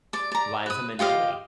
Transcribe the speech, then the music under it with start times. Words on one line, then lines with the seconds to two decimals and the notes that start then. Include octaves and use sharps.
Liza Minnelli.
0.13 D5 D6
0.32 D5 A#5
0.66 B4 D#6
0.99 F4 G4 D#5 F5